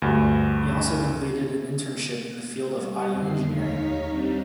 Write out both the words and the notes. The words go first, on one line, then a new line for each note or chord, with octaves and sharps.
He also completed an internship in the field of audio engineering.
D2 G2
G3
F2 D3 D#3 C7
D#2 D#4 C#5 F5 A#5 B6
G3 C4 D4 D#4